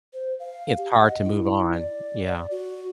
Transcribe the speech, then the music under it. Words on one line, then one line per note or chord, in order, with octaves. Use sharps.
It's hard to move on, yeah.
C5
F5
G4
F#5
D#5
E4
D5
F#4